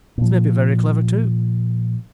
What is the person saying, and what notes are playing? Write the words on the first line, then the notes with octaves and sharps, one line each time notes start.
This may be very clever too.
A#2 F3